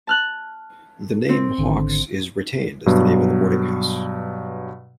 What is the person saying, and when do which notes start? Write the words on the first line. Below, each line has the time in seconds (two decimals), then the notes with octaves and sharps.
The name Hawkes is retained as the name of the boarding house.
0.07 A5 F6 F#6
1.29 C4
1.58 G#1 D3
2.86 G2 B2 F#3